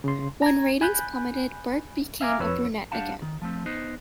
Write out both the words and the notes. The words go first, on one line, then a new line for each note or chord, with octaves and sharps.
When ratings plummeted, Burke became a brunette again.
C#3 C6
A#5 G#6
G#5 B5 F#6 G6
E5 F5 G#5 A#5 D6 F6
F2 B4 C#5 E6
G3 D4 F5 F#5 A5
D#3
F3 A3 C4
B3 D#4 C5 D#5